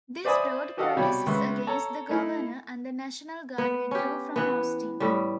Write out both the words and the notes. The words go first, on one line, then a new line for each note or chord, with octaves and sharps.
This brought protests against the governor, and the National Guard withdrew from Austin.
C5 D5 E5 G#5 B5 D#6
F#4 G4 A4 D#5 F5 F#5
C2 B2 G3 C#5
C#2 B4 E5 C6 C#6
A4 C#5 A5 A#5
A3 D#4 E4
B3
C#4 G4
E3 B3
A2 G3